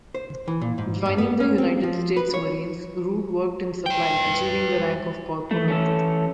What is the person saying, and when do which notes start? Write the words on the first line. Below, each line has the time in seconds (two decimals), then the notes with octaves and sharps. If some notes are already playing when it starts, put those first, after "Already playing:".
Joining the United States Marines, Root worked in supply, achieving the rank of corporal.
0.15 C5
0.48 E3
0.61 A#2
0.78 G#2
1.05 G2
1.18 B3
1.40 C#4
1.58 C4
1.83 F3
2.17 B4
2.34 C#5
3.86 B4 G5
5.51 E3 A3
5.68 A3 C#4 A4